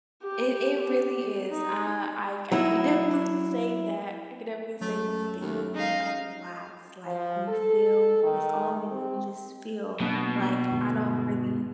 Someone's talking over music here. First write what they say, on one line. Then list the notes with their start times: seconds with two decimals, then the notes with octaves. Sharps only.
It it really is. Uh, I I can definitely say that I can definitely say we feel a lot, like, we feel that's all we do. We just feel like, I don't really
0.23 G4
1.51 D#4
2.52 F#3 D#4 E4
4.81 F#2 F#3 A3
5.40 D#2
5.75 G#3 D#4 F5
7.06 F3
7.48 A4
8.23 D#3
8.91 C4
10.00 B2 F#3 A#3 D4
10.70 G1 G#2